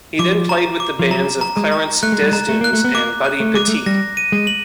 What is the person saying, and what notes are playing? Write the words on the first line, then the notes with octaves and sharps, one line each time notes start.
He then played with the bands of Clarence Desdunes and Buddy Petit.
F3 D6
A#5
D6
F3
F#3 A#5
A#5
G#3
A#5
A3 F#6
G#3
G3
G#3 A#5
A3
A#3 F#6
A3
B3
A#3 D6
F#6
A3
G#3 D6
A3
G3 A#6
D#7
G#3
F#7